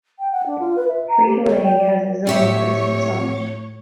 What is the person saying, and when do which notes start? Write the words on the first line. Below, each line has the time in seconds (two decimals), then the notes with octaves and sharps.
Frito-Lay has a zone office in Summit.
0.19 G5
0.32 F#5
0.46 D4
0.60 F4
0.76 B4
0.89 E5
1.08 A#5
1.26 G4
1.42 C#5
1.63 G5
1.77 D5
2.27 A2 C4 G4 C#5 E5